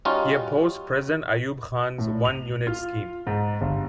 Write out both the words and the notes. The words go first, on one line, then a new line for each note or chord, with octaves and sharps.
He opposed President Ayub Khan's 'One Unit Scheme'.
G3 C#4 D#4 F4 F#4
A2
F7
F4
G#2
G1